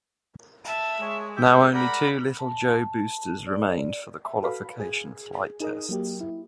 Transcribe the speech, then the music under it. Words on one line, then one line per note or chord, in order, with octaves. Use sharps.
Now only two Little Joe boosters remained for the qualification flight tests.
E5 A5
G#3 G#4 C#5
G4 E5 G6
A#4 D5 F#5 B5 A#6
A5
D5
E5
F#4 A4 B4 F5 B5
G#4 G#5
D#4 G#4 A#4 D#5
F#3 A#3 G4
E4